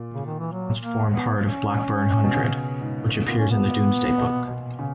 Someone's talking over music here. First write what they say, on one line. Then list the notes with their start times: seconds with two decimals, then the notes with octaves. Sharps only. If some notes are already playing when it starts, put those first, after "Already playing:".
The village once formed part of Blackbourn Hundred, which appears in the Domesday Book.
Already playing: A#2
0.14 C#3
0.26 D#3
0.39 E3
0.53 F#3
0.83 A#3
1.13 B3
1.44 C#4
2.24 B2
2.35 C#3
2.81 G#2
3.26 A#2 B3
3.38 C#4
3.50 B3
4.18 B2
4.48 B2
4.79 C#3